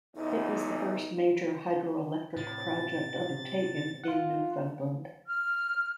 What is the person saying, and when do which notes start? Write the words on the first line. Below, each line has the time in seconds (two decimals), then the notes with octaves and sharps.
It was the first major hydroelectric project undertaken in Newfoundland.
0.15 B1 E2 D#4
2.36 A2 C3 A6
4.04 F4 F#5
5.26 F6